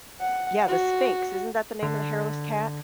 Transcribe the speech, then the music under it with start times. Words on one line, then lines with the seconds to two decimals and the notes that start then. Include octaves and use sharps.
Yeah, the Sphinx, isn't that the name of the hairless cat?
0.20 F#5
0.68 F#4
1.83 D3